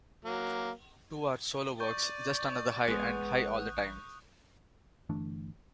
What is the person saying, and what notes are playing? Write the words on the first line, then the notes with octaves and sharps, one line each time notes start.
Two are solo works: "Just Another High" and "High All The Time".
F#3 A#3
D5 C#6 G6
A1 G#3 B3 D#6 F#6
G1 E3 A3 D4